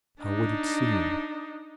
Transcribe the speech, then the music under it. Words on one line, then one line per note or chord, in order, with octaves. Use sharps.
How would it seem?
D4 D#4